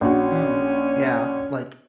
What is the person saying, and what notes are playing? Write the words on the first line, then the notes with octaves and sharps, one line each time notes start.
Mm, yeah, like
A#1 C#4 F#4